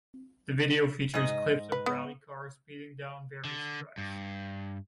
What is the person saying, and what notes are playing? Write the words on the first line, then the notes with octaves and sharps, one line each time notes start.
The video features clips of rally cars speeding down various tracks.
G#2 D#5
B4
B3
D3
G2